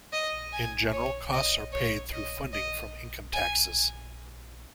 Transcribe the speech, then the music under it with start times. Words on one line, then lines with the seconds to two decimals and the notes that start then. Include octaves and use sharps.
In general, costs are paid through funding from income taxes.
0.13 D#5
0.53 G#5
0.92 C#5
1.33 D#5
1.72 C#5
2.13 D#5
2.53 D#5
3.34 G#5